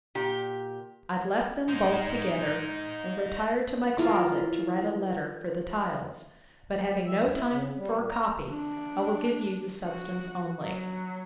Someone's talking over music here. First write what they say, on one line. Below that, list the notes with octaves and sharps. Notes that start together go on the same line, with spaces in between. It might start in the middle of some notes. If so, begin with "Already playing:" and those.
I left them both together, and retired to my closet to write a letter for the tiles; but having no time for a copy, I will give you the substance only.
A#2 G4
D#4 C5
E3 F4 A#4
E5
E2
E4
C#3
G3
A#2
A#5
D4
F#4
F#3